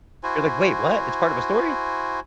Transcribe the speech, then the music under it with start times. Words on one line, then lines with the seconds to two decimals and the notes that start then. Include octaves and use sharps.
You're like, "Wait, what? It's part of a story?
0.23 E4 F#4 C5 G#5